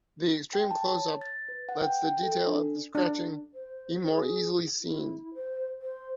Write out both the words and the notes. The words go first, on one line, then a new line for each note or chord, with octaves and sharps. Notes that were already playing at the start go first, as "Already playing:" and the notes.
An extreme close up lets the detail of the scratching be more easily seen.
G5
A5
C#5
A6
B4
F#5
G5
G5
A4
D4
D4
C5
G#4
E4
C5
C5